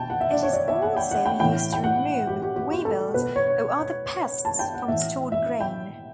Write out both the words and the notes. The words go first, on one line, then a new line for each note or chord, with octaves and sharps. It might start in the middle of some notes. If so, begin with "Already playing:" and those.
It is also used to remove weevils or other pests from stored grain.
Already playing: B2 G5 A5
F#5
E5
D5
C#5
D5
E5
F#5
G5
F#5
G5
A2 E3 G5
G5
F#5
G4
G4
G4
F#4
A4
B2 B4
C#5
A5
G5
F#5
A2 E3 E5
E5
G5